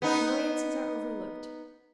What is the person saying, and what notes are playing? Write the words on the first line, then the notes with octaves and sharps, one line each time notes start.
Annoyances are overlooked.
B3 D#4